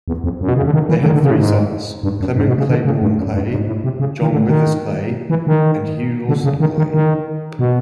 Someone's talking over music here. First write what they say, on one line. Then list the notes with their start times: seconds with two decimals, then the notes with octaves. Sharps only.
They had three sons: Clement Claiborne Clay, John Withers Clay, and Hugh Lawson Clay.
0.08 E2
0.24 F2
0.41 F#2
0.49 B2
0.57 C#3
0.66 D3
0.74 D#3
0.89 E3
1.02 D3
1.06 D#3
1.14 D3
1.23 C#3
1.31 A2
1.39 G#2
2.03 G2
2.20 F#2
2.36 G#2
2.48 B2
2.58 C#3
2.70 D3
2.85 C#3
3.02 G2
3.19 F#2
3.34 G2
3.51 G#2
3.67 A2
3.84 C3
4.00 C#3
4.21 D#3
4.33 D3
4.48 D#3
5.30 E3
5.47 D#3
6.29 D3
6.44 C#3
6.60 D#3
6.78 D#3
6.94 D#3
7.59 B2